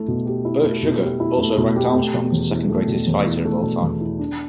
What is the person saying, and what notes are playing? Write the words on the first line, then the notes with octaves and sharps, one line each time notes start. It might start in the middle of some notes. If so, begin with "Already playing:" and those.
Bert Sugar also ranked Armstrong as the second-greatest fighter of all time.
Already playing: A3 E4
B2
G4
E4
A3
B2
G4
E4
A3
B2
G4
A3
B2
E2
E4
A3
B2
E2
E4
A3
B2
E2
E4
D4